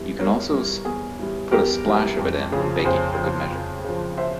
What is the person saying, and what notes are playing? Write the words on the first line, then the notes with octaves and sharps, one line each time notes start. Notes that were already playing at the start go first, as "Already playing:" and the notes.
You can also put a splash of it in when baking for good measure.
Already playing: E2 E3 G3
E2 A#4 C#5
E3 G3
E2 G#4
E3 G3
E2 G4 A#4
E3 G3
F2
C#3 F3
F2 G#4 C5
C#3 F3
F2
C#3 F3
C5 E5